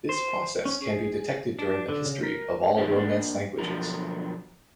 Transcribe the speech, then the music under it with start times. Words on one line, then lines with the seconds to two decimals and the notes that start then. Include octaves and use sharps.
This process can be detected during the history of all Romance languages.
0.09 C5
0.65 C#4
0.82 G#4
1.59 D4
1.89 D3
2.05 C#3
2.23 A#4
2.77 B2 D#3 E3 A#3 C#4
2.93 A#3 D4
3.58 B2 D3 F3 F#3 A#4